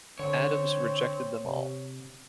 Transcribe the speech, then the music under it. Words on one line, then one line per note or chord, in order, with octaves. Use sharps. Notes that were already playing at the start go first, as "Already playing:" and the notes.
Adams rejected them all.
D3 C4 C#5
C3